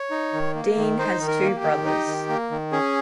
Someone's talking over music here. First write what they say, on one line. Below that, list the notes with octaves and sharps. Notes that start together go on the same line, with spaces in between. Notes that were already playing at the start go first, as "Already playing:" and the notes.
Dean has two brothers.
Already playing: C#5
D#4
D#3
A#3
D#3
D#4 C5
D#3
A#4
A#3
G4
D#3
D#4
D#3
A#3
D#3
C#4 G#4